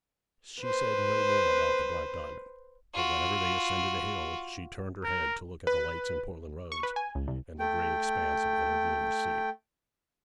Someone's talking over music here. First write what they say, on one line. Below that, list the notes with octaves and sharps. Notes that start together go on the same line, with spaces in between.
She said no more about the Black Diamond; but whenever they ascended a hill she turned her head to look at the lights in Portland Roads, and the grey expanse of intervening sea.
B4 C5
F4 F#4
A#4
B4
C#6
B4
G#5
C#2
C2
A3 G5